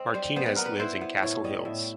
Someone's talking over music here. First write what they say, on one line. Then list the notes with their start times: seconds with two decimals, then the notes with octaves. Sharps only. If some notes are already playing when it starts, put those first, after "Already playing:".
Martinez lives in Castle Hills.
Already playing: C4 D#5
0.14 G3 C5
0.36 B3 C5
0.46 B4
0.56 B3 A#4
0.66 B4
0.79 E4 C5
1.01 B3
1.22 A2 C#5
1.44 G3 D#5
1.65 A2 E5